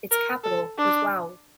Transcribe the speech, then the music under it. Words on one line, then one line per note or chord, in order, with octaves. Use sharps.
Its capital was Wau.
A#4
A4
D4